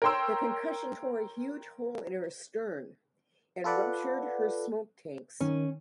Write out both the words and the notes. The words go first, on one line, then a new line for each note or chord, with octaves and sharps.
The concussion tore a huge hole in her stern and ruptured her smoke tanks.
A#4 C#5 G5 C6 E6
F4 A4 B4 D5 F#5
D#3 C#4